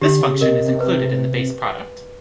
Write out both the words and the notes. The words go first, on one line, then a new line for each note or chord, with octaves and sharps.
This function is included in the base product.
D3 G4
C#3
C3 A#4 D#5
C3
B4